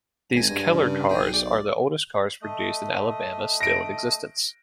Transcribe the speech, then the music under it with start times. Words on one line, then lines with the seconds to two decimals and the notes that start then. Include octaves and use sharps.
These Keller cars are the oldest cars produced in Alabama still in existence.
0.34 G#1 G#5 A#6
0.50 G2
0.73 C#3
1.09 B1 G#4 G5
1.33 D5
2.42 A3 D#5
3.61 A#6 D7